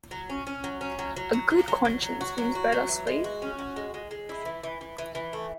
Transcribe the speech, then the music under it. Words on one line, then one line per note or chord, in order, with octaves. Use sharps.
A good conscience means better sleep.
F#3
C#4
C#4
F#3
C#4
F#3
F#3
F#3
F#3
F#3
F#3
F#3
F#4
F#3
F#4
F#3
E3
G#3
F#4
C#4
F#4
G#3
G#3
G#3
E4
E3
E3
E3
E3
E3
A3